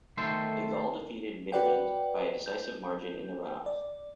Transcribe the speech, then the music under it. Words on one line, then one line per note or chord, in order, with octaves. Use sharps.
De Gaulle defeated Mitterrand by a decisive margin in the runoff.
D#3 A3 A4 C5 C6
F#4 B4 D5 F#5 G5
G6
D5